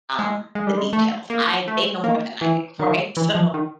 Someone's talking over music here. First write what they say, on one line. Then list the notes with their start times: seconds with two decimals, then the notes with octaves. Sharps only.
um, the details. I they know more than I do, right? So,
0.19 G#3
0.55 G#3
0.67 G3
0.77 G#3
0.93 A3
1.30 A#3
1.68 A3
2.04 A#3
2.41 E3
2.79 D#3
3.17 E3
3.35 F3
3.54 D#3